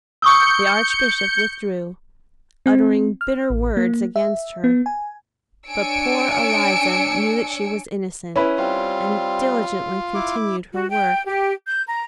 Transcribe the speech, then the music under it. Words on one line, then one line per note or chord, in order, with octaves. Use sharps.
The archbishop withdrew, uttering bitter words against her; but poor Eliza knew that she was innocent, and diligently continued her work.
C#6 D#6 E6 G6 C#7
C4
F6
A1
A#3
E5
B3
G#5
D4 C#5 G#5 E6 C#7 D7
C#4 E4 B4
G3 C4 F4
E4 D6
F#4
G5
G4
G6
A#5